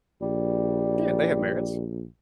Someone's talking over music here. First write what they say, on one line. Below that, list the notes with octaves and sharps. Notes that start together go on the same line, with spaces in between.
Yeah, they have merits.
A#1 G3